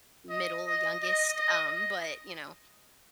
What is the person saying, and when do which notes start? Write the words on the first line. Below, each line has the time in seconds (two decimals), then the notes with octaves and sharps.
middle youngest, um, but, you know,
0.29 D#5
0.67 D#5
1.02 D#5
1.38 D#5